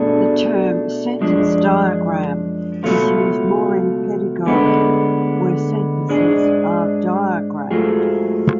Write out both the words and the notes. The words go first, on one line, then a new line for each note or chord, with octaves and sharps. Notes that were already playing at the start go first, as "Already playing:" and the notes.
The term "sentence diagram" is used more in pedagogy, where sentences are "diagrammed".
Already playing: B2 A3 D4 G#4
F#2 F3 G#3 D4
C#2 B2 F#3 A3 F4
D2 D3 G#3 B3
G#2 G#3 D4 G#4
G#2 F#3 A3 F4 G#4